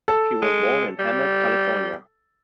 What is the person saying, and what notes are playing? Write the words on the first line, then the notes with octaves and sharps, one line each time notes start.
She was born in Hemet, California.
A4
G#3
G3